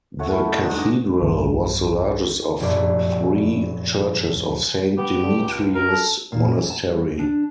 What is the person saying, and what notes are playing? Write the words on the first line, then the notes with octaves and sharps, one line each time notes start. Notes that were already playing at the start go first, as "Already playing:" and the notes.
The cathedral was the largest of three churches of Saint Demetrius Monastery.
A3 F#4 A4 C#5
E4
D#4
G2 D3 D#4 G#5
D4 D#5
B1 G2 D#3
F1 A#1 F#2 D5
B3 G4
D3
C#2
A#4
A4
A#2
E3
A5
G3
D4